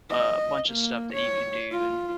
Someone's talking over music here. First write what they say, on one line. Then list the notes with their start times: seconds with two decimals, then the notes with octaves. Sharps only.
a bunch of stuff that you could do and
0.10 D#5
0.69 A#3
1.13 C#5
1.71 F4